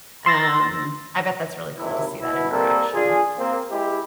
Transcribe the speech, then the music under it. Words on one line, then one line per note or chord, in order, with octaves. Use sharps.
um, I bet that's really cool to see that interaction.
C6 E6 A6 A#6
G#1 D#2 C3 E4
B2 E4
G3 A#3 C4 A4 A#4
D4 F4 G#4
A#3 C4
G#3 E4 G4